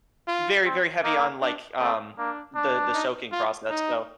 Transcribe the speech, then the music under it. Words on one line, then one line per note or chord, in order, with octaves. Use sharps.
Very, very heavy on, like, um, the the soaking process, so
F4
C4
A#3 D#4
D4
A3 C4
A#3 D4
D4
D#4
F4
D#4